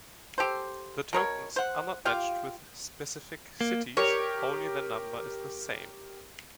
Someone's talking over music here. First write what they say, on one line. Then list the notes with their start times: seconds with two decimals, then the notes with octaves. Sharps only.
The tokens are not matched with specific cities, only their number is the same.
0.38 G4 A4 C5
1.13 B2 A#4 C#5
1.56 C5 F#5
2.05 F4 G4 F5 G5
3.61 A#3
3.97 G4 A#4 C#5